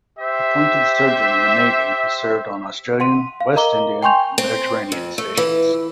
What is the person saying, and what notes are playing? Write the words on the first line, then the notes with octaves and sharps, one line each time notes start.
Appointed surgeon in the Navy he served on Australian, West Indian and Mediterranean stations.
G4 C5 E5
F#5 C6 D#7
F5
A#4 D#5 A#5 D6 G7
G5 G#5 C6 C#6 G6 F7
C4
F2
A3
E3